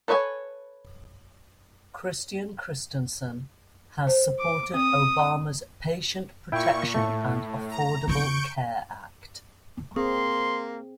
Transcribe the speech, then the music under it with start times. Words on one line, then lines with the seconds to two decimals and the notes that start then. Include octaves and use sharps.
Christian-Christensen has supported Obama's Patient Protection and Affordable Care Act.
0.08 A4 B4 C#5 D#5 G#5
4.07 C5
4.40 D6
4.74 C4 D#6
5.19 A#5
6.52 A#2 E4 G5 C#6
6.94 A2 A3
7.71 A#5
8.08 E2 C#3 C#6 G6 D7
9.96 A#3 C4 G#4 C6